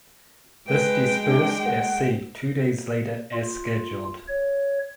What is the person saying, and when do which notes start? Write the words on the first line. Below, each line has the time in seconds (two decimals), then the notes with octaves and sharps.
This dispersed at sea two days later as scheduled.
0.68 G#3 B4 G5
1.25 D4
1.65 F#5
3.33 F4
4.28 C#5